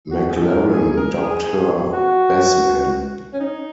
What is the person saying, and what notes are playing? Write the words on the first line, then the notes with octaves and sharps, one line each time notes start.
McLaren dubbed her 'Bess Man'.
F#4
G#4
A#4
G#4
G#4
A#4
G#4
F#4
C#4
D#4